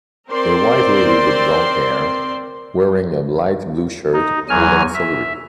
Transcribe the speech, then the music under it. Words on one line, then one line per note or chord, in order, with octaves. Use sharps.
A white lady with blondhair wearing a light blue shirt holding celery.
C4 A#4 C5 D5 C6
D#4
E2 F#3 G#5 F6
E5